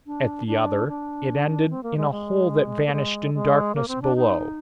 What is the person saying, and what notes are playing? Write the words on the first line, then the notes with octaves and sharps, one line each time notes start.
At the other it ended in a hole that vanished in darkness below.
D4
D4
D4
C4
A#3
G#3
G#3
A#3
G#3
G#3
A#3
C4
D4
D#4